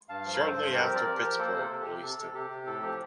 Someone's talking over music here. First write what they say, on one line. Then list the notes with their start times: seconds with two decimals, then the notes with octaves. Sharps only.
Shortly after Pittsburgh released him.
0.09 G2 F5 A5
0.25 F3
0.34 A#4
0.41 G2 A4 C5
0.58 G2
0.66 A4
0.73 C4 G4 A#4
0.85 C5
0.90 F3
0.95 A#4 D5
1.05 F3
1.17 G4 A#4
1.23 F3
1.38 A#3 A4 C5
1.54 C3
1.60 A4
1.70 C3
1.80 G4
1.87 C3
2.02 C3 A4
2.19 C3 A4
2.34 C3 G4
2.51 C3
2.66 A2 A4
2.83 F3 G4